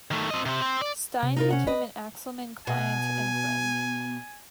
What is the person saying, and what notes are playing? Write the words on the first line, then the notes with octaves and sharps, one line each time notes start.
Stein became an Axelman client and friend.
D#3 A3
C4 D#5
C3 C4
C4
D5
C3
D#4 F4 A#4
C#4 F#5
B4 D#5
B2 G#5